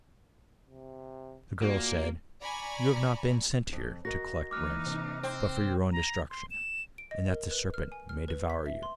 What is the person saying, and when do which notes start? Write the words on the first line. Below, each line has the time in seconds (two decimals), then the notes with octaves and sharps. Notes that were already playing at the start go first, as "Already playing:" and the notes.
The girl said: 'You have not been sent here to collect rents, but for your own destruction, and that the serpent may devour you.'
0.68 C3
1.62 A#2 A#3 F#4
2.42 D5 G#5 A#5 B5 C#6
3.73 F2
4.05 F#4 A#4 D#5 A#6
4.51 E3 A#3 D#4 D6 F6 F#6
4.86 C3
5.23 C4
5.92 A#5
6.30 C6
6.51 E7
6.98 D7
7.11 D#5
7.28 A#4
7.51 B4
7.74 F6
7.92 G#5
8.09 F6
8.28 B4
8.50 B6
8.66 E5
8.83 C6